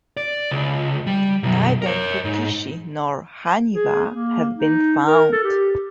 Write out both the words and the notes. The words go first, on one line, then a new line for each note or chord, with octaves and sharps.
Neither "fukiishi" nor "haniwa" have been found.
D5
C#2
G3
B1 F#2
A#4 C#5
G#2
G#4
A#3
D#4
A#4
A4
G4